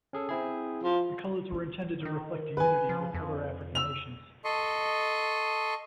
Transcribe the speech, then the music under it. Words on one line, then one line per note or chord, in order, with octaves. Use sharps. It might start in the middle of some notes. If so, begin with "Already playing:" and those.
The colors were intended to reflect a unity with other African nations.
C#4 G#4 A4
C4 E4 G#4
F3
D#3
B4 G#5
F3
F2
E6 F7
A4 D#5 C6 C#6